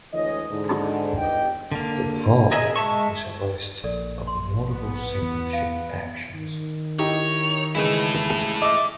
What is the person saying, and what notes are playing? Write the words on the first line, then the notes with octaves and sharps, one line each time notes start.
The following is a list of notable single-ship actions.
D2 E3 G#3 C#5 D#5
G#2 D3
G1 G2 G4 D#5 G5
D3 A#3
G#4 A#4 D#5 E5 G#5
G#3 E5 A5 C#6
A#1 A4 A#4 D5
C6
B3
E2
F5
D#3
D#4 E4 G4 C#5
C#3 E3 G#3 A3 E4
D#5 E5 D6